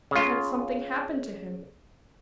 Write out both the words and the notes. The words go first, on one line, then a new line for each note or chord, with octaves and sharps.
Or had something happened to him?
C#3 F4